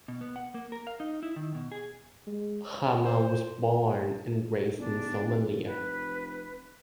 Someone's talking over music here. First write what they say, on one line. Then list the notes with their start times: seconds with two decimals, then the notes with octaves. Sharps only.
Jama was born and raised in Somalia.
0.08 B2
0.21 B3
0.36 F#5
0.54 A#3
0.72 A#4
0.87 F5
1.00 D#4
1.23 E4
1.36 D#3
1.55 B2
1.72 G#4
2.27 G#3
3.04 C5
4.78 G1 D4
5.25 F1
5.66 B4